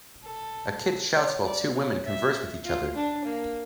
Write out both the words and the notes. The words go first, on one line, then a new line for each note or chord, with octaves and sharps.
A kid shouts while two women converse with each other.
A4
C#5
D5
C#5
E5
F4
D4
A#3